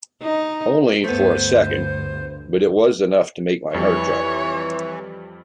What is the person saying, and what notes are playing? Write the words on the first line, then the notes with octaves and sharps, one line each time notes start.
Only for a second, but it was enough to make my heart jump.
D#4
D2 G2 D3 A3 B3 C5
F2 E3 G3 C#5